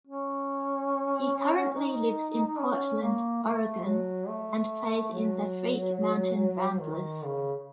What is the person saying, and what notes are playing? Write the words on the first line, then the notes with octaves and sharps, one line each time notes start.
He currently lives in Portland, Oregon and plays in the Freak Mountain Ramblers.
C#4
D#4
C#4
A#3
A3
F#3
A3
F#3
D#3
C#3